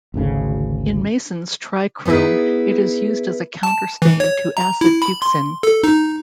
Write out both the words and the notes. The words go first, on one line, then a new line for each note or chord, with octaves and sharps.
In Masson's trichrome it is used as a counterstain to acid fuchsin.
G#1 D2 C#3
B3 D#4 E4 G#4 B4
A5
E3
C#5
A#5
E4
B5
C6
A4
D#4